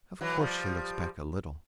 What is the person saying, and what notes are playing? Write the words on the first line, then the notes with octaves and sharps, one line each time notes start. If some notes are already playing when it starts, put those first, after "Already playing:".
"Of course she looks back a little."
E3 F#3
F3 G3